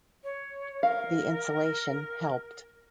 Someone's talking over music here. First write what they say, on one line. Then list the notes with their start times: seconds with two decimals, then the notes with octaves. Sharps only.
The insulation helped.
0.24 C#5
0.83 A#4 F5